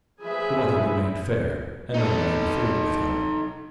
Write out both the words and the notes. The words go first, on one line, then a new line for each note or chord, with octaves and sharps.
The weather remained fair, and no one interfered with him.
F3 G#4 B4 E5 G#5
D#4 A4